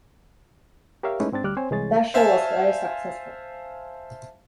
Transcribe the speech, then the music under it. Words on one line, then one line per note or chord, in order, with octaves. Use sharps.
That show was successful.
G4 A#4 C#5 E5 F5
G#3 A3 C#4 D#4 E4 B4
G#2 C4 D4 A6
D2 G3 D6 F6 F#6
C4 C5 C#5 G#5
C2 E3 G#3 G#4 C#5 A6
C5 E5 F5 G#5 A5